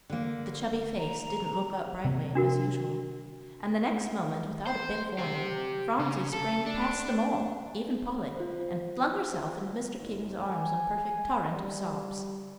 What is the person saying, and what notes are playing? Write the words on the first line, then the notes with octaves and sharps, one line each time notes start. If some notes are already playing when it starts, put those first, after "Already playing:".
But the chubby face didn't look up brightly, as usual: and the next moment, without a bit of warning, Phronsie sprang past them all, even Polly, and flung herself into Mr. King's arms, in a perfect torrent of sobs.
D3 A#3
A#5
C3 A#3 C4
D4 F#4 A#4
C5
G4 C5
C#3
A4
D4
F4 C5
F#1
G#5
G3